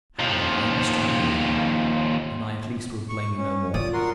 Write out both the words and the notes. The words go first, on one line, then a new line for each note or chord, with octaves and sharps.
But, Harry, I understand you now, and I at least will blame you no more.
D#2 F3
C#6
C#4
F4 D5 D#6
F#4 A#4 C6